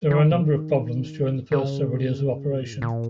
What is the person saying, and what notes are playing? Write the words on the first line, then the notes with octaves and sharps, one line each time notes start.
There were a number of problems during the first several years of operation.
E3
D#3
B2
D#3
C#3
B2
A#2
G#2
A#2